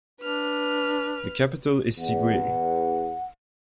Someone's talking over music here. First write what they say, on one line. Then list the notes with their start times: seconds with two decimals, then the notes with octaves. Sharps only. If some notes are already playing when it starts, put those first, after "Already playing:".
The capital is Siguiri.
0.21 D4 B4 F6
1.99 E2 F#5